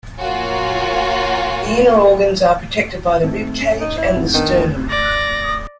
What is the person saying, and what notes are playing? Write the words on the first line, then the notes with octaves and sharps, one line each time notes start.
The inner organs are protected by the rib cage and the sternum.
A#3 F4 F#4 C#5 G#5
G#1 A3 C4
C#4
D#4
E4
C2 G#2
D#3 B3 D4
D5 A#6